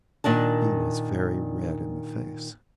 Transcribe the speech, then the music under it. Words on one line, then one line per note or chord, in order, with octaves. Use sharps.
He was very red in the face.
A#2 D#3 D4 A5